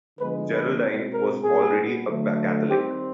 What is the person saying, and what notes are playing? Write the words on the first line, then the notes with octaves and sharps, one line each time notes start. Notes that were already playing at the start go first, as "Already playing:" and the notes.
Geraldine was already a Catholic.
D3 F3 G#3 B3 B4
B4
B2 G#3 C4
A#4
A#2 G3 B3 G#4
D3 F#3 A3
D#3 G3 C4 G4